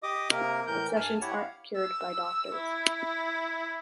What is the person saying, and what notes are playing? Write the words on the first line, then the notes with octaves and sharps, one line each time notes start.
Obsessions aren’t cured by doctors.
G4 D#5 D6 D#6
C3 A#3 A#4
A2 E3 A#4 G6
G2 G#5 A5 F6
E4 G4 C#5 F#5
F5
E6
E4